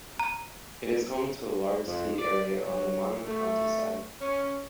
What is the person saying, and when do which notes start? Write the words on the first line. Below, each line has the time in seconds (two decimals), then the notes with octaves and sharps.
It is home to a large ski area on the Mono County side.
0.20 A#5
1.86 F2
2.19 D5
2.58 F#3
3.25 A3
4.21 C#4